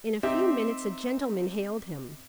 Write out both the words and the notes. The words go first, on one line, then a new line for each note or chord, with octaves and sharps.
In a few minutes a gentleman hailed him.
C4 D#4 G4 E5